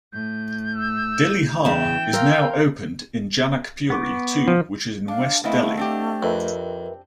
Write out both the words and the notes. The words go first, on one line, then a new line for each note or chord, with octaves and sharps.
Dilli Haat is now opened in Janak Puri too which is in West Delhi.
A2 G6
E6
E2 C#3 E3 G5 E7
A#4 C5 F5 E6
B3 C#6 D6
F3
D4 F5
A3 B3 C4 E4 D#5 F5 F#5
C4 D4 G4
F2 A#4 B4 E5